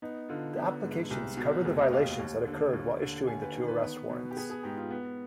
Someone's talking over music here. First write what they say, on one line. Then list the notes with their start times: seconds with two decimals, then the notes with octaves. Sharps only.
The applications cover the violations that occurred while issuing the two arrest warrants.
0.02 B3 D#4
0.29 D3 F4
0.56 B3
0.83 G#2
1.10 C2
1.37 B2
1.65 F1 G#4
1.78 D#5
1.92 D#2 F5
2.19 D#2
2.47 D3
2.73 D#2
3.01 D3
3.27 D#2 G#5
3.42 B4
3.55 D#3
3.68 B4
3.82 B3
4.10 B2
4.31 G4
4.37 B3 G#4
4.50 G#4
4.63 G#2 G4
4.77 F4
4.90 B3